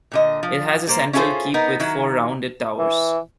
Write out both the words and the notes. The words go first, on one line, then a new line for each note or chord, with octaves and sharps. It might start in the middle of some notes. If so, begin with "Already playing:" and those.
It has a central keep with four rounded towers.
A#2 D3 D#5
F3
G3 A#3 C5
C#4 E4 F4 G#4 A4 C5
B3 D#4 A#4
D#3 F#3 E4
E3